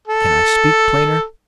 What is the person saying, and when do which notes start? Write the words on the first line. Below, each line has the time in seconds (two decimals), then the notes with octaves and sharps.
Can I speak plainer?
0.08 A4